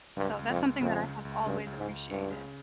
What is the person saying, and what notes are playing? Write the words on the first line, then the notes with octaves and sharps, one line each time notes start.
So, that's something that I have always appreciated,
C#2 G2
C#2
F2
C#2
F2 C#3
C#2
C#2
G2 C#3
C#2
G#2
C#2
C#2 G2
C#3